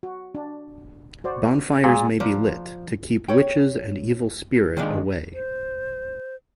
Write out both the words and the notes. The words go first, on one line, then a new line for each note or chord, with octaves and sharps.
Bonfires may be lit to keep witches and evil spirit away.
F#4
D4
F#4 C5 D5
A#2 G#3 G#4
F3 D5
C#5 G5
D#3 F3 G#3 D4
C5